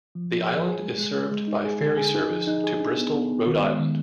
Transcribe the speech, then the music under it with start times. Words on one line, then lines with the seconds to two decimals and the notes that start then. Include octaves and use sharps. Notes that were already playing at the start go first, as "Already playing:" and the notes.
The island is served by ferry service to Bristol, Rhode Island.
0.15 F3
0.32 F3
0.49 G#4
0.65 G#4
0.82 G#3
0.99 G#3
1.15 G#3
1.32 G#3
1.48 D#4
1.65 G#4
1.81 D3
1.97 G#4
2.14 D#4
2.30 F3
2.47 D#4
2.64 G#4
2.80 D4
2.97 B3
3.14 B3
3.30 B3
3.47 D#3
3.63 G#3
3.79 D#3